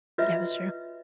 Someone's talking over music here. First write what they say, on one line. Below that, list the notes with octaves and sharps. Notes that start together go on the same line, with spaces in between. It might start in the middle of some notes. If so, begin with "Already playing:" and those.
Yeah, that's true.
F4 F#4 B4 C#5 D#5 E5